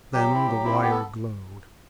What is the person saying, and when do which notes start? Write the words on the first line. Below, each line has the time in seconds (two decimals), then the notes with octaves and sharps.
Then the wire glowed.
0.13 F#3 G4
0.30 C4 E4
0.47 F#3
0.64 C4 E4
0.81 B3 G4
0.91 A4